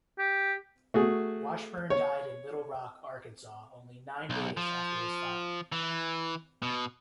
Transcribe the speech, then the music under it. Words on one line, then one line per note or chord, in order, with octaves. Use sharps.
Washburn died in Little Rock, Arkansas only nine days after his father.
G4
A3 F#4 G#4
C#5
B1
F3
E3
B2